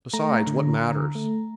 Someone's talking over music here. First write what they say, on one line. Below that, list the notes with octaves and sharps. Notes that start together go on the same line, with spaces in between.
Besides, what matters?
A3 A#5
D3
D3
A3